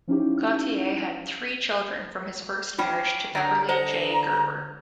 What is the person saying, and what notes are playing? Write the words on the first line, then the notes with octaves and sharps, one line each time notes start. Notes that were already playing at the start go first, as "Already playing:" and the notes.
Gautier had three children from his first marriage to Beverly J. Gerber.
F3 C#4 D#4 E4 G4
C#4 D4 F4 G5 B5
D3 D#4 A4 A#4
C5 D#5 F#5 A5 A#5